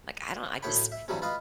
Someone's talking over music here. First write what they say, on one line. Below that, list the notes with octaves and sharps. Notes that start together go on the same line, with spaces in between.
Like, I don't, I just
D2 A2 C#5 G5 B5
E5
G2 E3 F#3 G3 C4
F4 B4 D#5 B5 C6